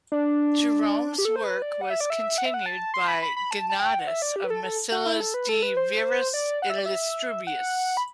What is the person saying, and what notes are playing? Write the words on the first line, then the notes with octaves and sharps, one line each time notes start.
Jerome's work was continued by Gennadius of Massilia's "De Viris Illustribus".
D4
G4
A4
C5
B4
D5
F#5
E5
D5
E5
F#5
E5
F#5
A5
C6
B5
B5
B5
A5
A5
G5
F#5
E5
D5
G4
B4
A4
A4
F#4
E4
A4
B4
A4
B4
C5
D5
F#5
E5
D5
E5
F#5
B5